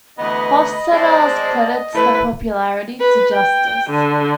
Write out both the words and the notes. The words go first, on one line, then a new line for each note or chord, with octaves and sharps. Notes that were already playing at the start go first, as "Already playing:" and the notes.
Hofstetter credits the popularity to justice.
D2 E3 B3 D#5 B5
G#3 C4 D5 A5
A3 E4 B4 A5
B4
G5
D3